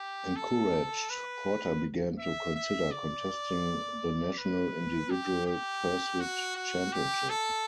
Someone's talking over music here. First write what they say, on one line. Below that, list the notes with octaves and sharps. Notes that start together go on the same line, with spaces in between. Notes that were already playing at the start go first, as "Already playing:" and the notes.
Encouraged, Porter began to consider contesting the national individual pursuit championship.
Already playing: G4
A4
B4
E5
E5
D5
B4
G4
G4
F#4
F#4
G4
A4